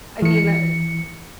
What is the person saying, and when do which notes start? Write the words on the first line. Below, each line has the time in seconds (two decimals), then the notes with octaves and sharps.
I mean, I
0.22 E3 C#7